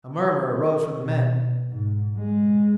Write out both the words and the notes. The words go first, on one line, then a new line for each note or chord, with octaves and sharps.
A murmur arose from the men.
B2
G#2
G#3